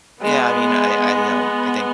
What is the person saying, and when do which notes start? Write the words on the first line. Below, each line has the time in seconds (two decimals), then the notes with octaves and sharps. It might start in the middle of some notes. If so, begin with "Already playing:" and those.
yeah. I mean, I I, um, I think
0.22 G#3 B3